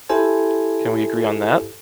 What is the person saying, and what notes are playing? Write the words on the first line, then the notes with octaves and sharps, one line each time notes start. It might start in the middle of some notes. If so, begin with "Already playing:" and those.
Can we agree on that?
E4 G4 A4 C5 G#5